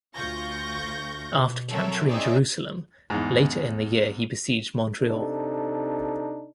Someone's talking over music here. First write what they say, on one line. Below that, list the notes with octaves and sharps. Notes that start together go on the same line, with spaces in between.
After capturing Jerusalem, later in the year he besieged Montreal.
D2 F4 C#6 G6 A#6
B2
F#3 C4 A4 A#4 C#5 E5
C4 D#4 G#4 C#5 D5 E5
E2 G#2
C3 D4 D#4 A4